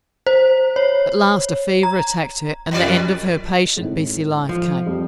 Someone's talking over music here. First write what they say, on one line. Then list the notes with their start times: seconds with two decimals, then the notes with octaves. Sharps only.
At last a fever attacked her and the end of her patient, busy life came.
0.27 C5
0.76 C#5
1.83 A#5
2.71 F#2 B2 F#3 F4 D5 D#5
3.77 G#1 A2
4.49 F3
4.86 F2 G3